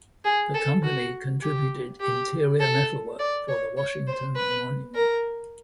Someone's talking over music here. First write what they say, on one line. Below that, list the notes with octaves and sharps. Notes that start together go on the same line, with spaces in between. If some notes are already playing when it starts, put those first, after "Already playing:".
The company contributed interior metalwork for the Washington Monument.
G#4
A4
F#4
G4
G4
A4
D5
C#5
C#5
C5
B4
A#4